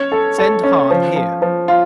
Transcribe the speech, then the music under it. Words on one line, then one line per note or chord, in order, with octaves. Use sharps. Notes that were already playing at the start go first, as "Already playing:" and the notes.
Send Hahn here.
Already playing: C#4 C#5
A4
A4
C#4
F3
F3
F3
F4